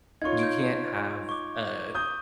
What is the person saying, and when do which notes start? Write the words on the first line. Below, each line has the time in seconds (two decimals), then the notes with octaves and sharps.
You can't have a
0.22 D#4 F4 C#5 C#6 G#6
0.39 G6 D7
1.29 C#6 D6
1.95 D#6 G6